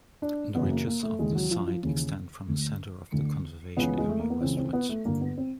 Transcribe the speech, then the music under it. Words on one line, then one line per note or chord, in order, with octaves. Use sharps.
The ridges of the site extend from the center of the conservation area westwards.
D4
F#2 C#3 E3 B3
A#3
A#3
A3
D#2 C#3 E3 G#3
F#3
F3
F3
D#2 C#3 E3
D2 D3
D2 D3
C#2 C#3 E3 B3
G#3
A3
A#3
B3
C#2 C#3 E3 C4
C4
B3
A3
G2 D3 A#3
B3
C4